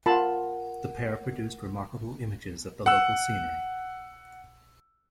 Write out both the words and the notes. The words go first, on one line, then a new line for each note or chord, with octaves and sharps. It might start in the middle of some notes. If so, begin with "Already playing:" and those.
The pair produced remarkable images of the local scenery.
F4 A#4 F#5 A5 B5
F#5 E6